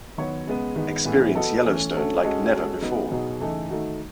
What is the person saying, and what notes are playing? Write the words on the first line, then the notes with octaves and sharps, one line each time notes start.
Experience Yellowstone like never before!
D#3 F#3 B3 F#4 C#5
C#3 G#3 B3
D#3 G#3 B3
A2 E3 B3
B3 F#4 A4 D#5
E3 A3 C#4
A3 C#4 F#4 A4
G#3 C#4 F#4 A4 D#5
G#3 C#4 F#4 A4
F#3 B3 D#4
B2 F#3 B3 D#4 G#4
C#3 E3 A3 D#4 A4
D#3 A3 D#4 F#4